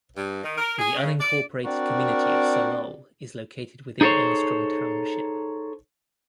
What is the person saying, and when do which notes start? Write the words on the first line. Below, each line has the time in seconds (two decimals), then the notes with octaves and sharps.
The unincorporated community of Salol is located within Enstrom Township.
0.16 G2
0.43 D#3
0.58 A#4
0.78 G#4
0.96 C#3
1.19 D5
1.65 C4 D4 F#4 A#4 D5
4.01 D#4 G#4 A4 C5 C#5